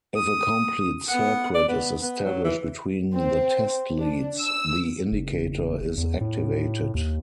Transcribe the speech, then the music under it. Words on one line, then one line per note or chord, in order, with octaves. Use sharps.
If a complete circuit is established between the test-leads, the indicator is activated.
D#6
B3 F#5
D5
B3
B3
F#3
E3
C4
D4
E6
F#1
E2
A2
D#2